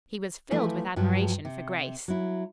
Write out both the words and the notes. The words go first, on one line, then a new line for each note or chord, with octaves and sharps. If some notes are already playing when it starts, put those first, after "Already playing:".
He was filled with admiration for Grace.
E3 F3 A3 E4
G2 F3 F#3
C3
F#3 E4